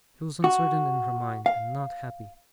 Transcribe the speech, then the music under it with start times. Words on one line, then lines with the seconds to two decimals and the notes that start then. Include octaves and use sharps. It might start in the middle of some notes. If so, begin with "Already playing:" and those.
She was uncertain in her mind, and not happy.
0.44 F#4
1.46 F5